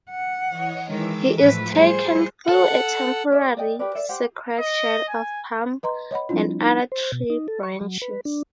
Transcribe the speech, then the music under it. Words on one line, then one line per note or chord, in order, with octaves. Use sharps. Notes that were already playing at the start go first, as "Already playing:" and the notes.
He is taken through a temporary sacred shed of palm and other tree branches.
F#5
E3 C#5 D#5
D#3 E3 G#3 D6 E6
A2 F3 A3 B4
G3 F4 G#4 C5 C#7
A4 F#5
C#4 D5 E5
G4
D5 D#5 G5
G4 A#4 B4 D5
A#4 D5 E5
G4 C5 F#5
D#5
G#5
B4 D#5 A#5 C6
C#5 D#5 F#5 B5
F3 G3 C4 D4 E4 F4
D#4
C5
B2
D#4
A4
C#6
F#3
B4
D4